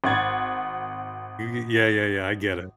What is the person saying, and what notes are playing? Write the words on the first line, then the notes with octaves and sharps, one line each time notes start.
y y yeah, yeah, yeah, I get it.
G#1 F#5 G#6 A6